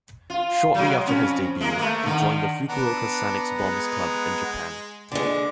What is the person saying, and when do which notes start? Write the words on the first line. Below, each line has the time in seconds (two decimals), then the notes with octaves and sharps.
Shortly after his debut, he joined the Fukuoka Sanix Bombs club in Japan.
0.30 F4
0.75 F#3 G#3
1.06 F2 C#4
1.60 G#3 A#3
1.78 A3 A#3
2.03 D3 D#3
2.69 B3 D4 F#5 A#5
3.57 G#3
5.12 D3 G#3 D6